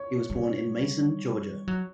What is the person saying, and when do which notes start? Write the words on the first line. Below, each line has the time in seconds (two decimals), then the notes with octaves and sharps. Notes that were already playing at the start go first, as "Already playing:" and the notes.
He was born in Macon, Georgia.
Already playing: C#5
0.30 G3
1.67 F#3